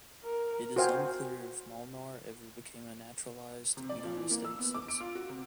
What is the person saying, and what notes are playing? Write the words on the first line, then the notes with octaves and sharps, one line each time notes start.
It is unclear if Molnar ever became a naturalized United States citizen.
A#4
F#4 A#4 C5 F5 G5 G#5
C3
D5
F3
E3
A#3
E6
B3
D6
D7
F4
F#4
C3